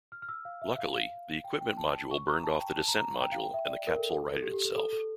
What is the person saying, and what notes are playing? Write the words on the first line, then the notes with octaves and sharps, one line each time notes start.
Luckily, the equipment module burned off the descent module and the capsule righted itself.
F6
F6
E6
F5
E5
F5
F5
G5
G5
A5
C#6
A#5
A5
G5
A5
A#5
A#5
A#5
G5
F5
G5
E5
D5
A#4
A4
A4
A4
G4
G4
A4
A4
A4